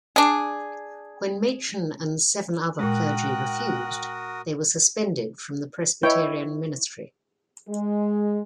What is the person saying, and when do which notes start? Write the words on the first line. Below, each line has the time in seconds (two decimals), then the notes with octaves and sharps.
When Machen and seven other clergy refused, they were suspended from the Presbyterian ministry.
0.16 D4 G#4
2.79 A#2 G#3 F#4 A#4 G5 D#6 F#6
6.03 E4 B4 C#5 D#5 G5
7.69 G#3